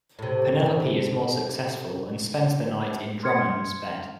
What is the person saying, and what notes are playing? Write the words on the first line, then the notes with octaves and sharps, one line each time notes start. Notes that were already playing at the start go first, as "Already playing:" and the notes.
Penelope is more successful and spends the night in Drummond's bed.
A2 C3
C6 F6 G#6 C#7